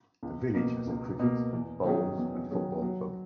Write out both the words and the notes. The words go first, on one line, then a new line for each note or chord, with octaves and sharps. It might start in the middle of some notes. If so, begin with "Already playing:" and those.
The village has a cricket, bowls and football club.
C#2
B2 A#3
C#2
B2 A#3
E2
D#3 F#3 C#4 G#4
E2
D#3 F#3 C#4 G#4
F#3